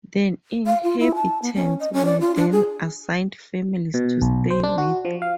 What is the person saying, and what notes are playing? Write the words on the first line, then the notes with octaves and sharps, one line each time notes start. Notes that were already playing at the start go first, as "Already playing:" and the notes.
The inhabitants were then assigned families to stay with.
F5
F4
E4
A5
B3
C#4
D#5
C#4
D5
F4
D4
G#4
B2
B1
C5
D4
F#4
F3
F5